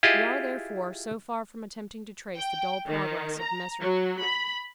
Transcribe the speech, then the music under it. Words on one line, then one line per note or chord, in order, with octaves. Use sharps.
We are, therefore, so far from attempting to trace the dull progress of Messrs.
E4 F4 G4 G#4 D#5
G5
D#3
A#5
F#3
B5